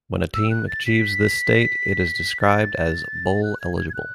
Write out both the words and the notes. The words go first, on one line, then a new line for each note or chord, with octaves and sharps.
When a team achieves this state, it is described as "bowl-eligible".
E6
F#6
A6
B6
A6
F#6
G#6
G#6
G#6
F#6